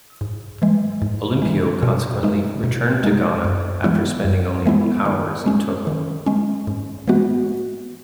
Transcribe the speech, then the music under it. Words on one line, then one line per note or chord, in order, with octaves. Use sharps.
Olympio consequently returned to Ghana after spending only hours in Togo.
G#2
E3 G#3
G#2
E3 G#3
B2
G#3 D#4
B2
G#3 D#4
F#2
E3 G#3 B3 E4
F#2
E3 G#3 B3 E4
D#3
G#3 C#4
D#3
G#3 C#4
G#2
E3 G#3 B3 F#4